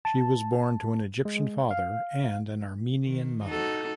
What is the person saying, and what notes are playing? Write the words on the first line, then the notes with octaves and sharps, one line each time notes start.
She was born to an Egyptian father and an Armenian mother.
A5
G#3
F5
D#3
D#4 F#4 A4